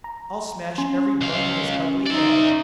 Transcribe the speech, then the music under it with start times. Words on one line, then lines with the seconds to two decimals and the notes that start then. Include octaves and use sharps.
"I'll smash every bone in his ugly head."
0.04 A#5
0.78 C#4 G#5 C6
1.21 C#2 F5
2.07 D#4 D5 E5